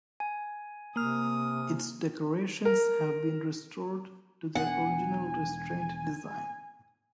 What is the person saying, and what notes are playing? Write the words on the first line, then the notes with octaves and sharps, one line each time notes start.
Its decorations have been restored to their original restrained design.
G#5
C3 A#3 D#6 F6
A#4
E1 B3 D4 F#5 G#5